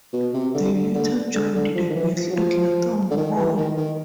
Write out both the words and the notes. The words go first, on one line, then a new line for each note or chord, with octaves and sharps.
They later joined the battle at Lathom Hall.
B2
C3
D3
D3
D3
D3
D3
F3
D#3
E3
F3
F#3
F3
D3
D#3
E3
D#3
D#3